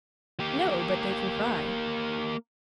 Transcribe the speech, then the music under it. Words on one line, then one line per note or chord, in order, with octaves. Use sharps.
No, but they can cry.
A#3 G4